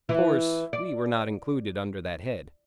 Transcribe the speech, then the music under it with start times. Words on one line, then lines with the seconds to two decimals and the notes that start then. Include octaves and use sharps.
Of course, we were not included under that head.
0.09 E3 E4
0.73 D5